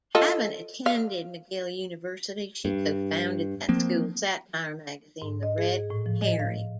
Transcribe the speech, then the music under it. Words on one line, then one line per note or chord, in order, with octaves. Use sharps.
Having attended McGill University, she co-founded that school's satire magazine, "The Red Herring".
F4 A4 D#5
F5
G2
F3 A#3 C4
G#2
D#5
G#4
A2
F3
D#5
F5